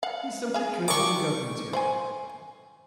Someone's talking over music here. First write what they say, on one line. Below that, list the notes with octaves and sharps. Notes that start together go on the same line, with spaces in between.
'He's simply cursing the Government here.
F5 F#5
G#4 F5
D#3 D4 C#6 D6
C5 F#5 G#5